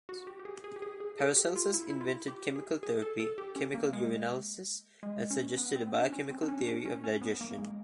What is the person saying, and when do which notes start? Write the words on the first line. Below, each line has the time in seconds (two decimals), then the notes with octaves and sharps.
Paracelsus invented chemical therapy, chemical urinalysis, and suggested a biochemical theory of digestion.
0.09 F#4
0.27 G4
0.39 G4
0.45 G#4
0.64 G#4
0.76 G4
0.82 G#4
1.00 G#4
1.19 A4
1.36 G4
1.56 F4
1.74 E4
1.90 E4
2.01 F4
2.28 G4
2.56 G#4
2.83 G#4
3.02 A4
3.20 A4
3.38 G4
3.56 C#4
3.74 A#3
3.93 G#3
5.03 G#3
5.31 C#4
5.57 B3
5.76 C4
5.94 D4
6.12 C#4
6.30 C4
6.43 D4
6.48 C#4
6.67 D4
6.85 C#4
7.04 C#4
7.21 B3
7.41 A#3
7.58 G#3